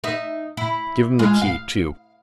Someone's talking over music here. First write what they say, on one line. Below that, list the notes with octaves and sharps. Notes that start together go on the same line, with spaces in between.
Give him the key too.
D#4 E5
E4
G#3 F4
F5